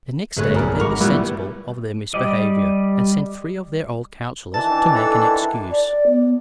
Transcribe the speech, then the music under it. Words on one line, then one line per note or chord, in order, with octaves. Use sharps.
The next day they were sensible of their misbehavior, and sent three of their old counsellors to make an excuse.
G1 F#3 G#3 A3 B4 C#5
B1 F2 G3 G#4 A#4
G#1 A#4 B5 C#6 D6
A#2 G3 B3 E4
G3 G4 D5 D#5
D#3 E3 D4 A5
A4
D5
B3